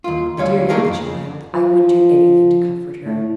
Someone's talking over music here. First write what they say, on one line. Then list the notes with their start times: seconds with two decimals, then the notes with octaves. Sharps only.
Dear young child, I would do anything to comfort her!
0.04 D#2 F4
0.37 D2 G3 C#5 F5
0.69 A3 A#3 G#4 A#4 B4 F5
0.85 C2 F2
1.54 F3
3.06 A2